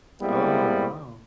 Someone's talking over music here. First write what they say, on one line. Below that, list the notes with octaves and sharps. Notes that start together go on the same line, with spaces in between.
Oh, wow.
C3 G3 G#3 A#3 B3 E4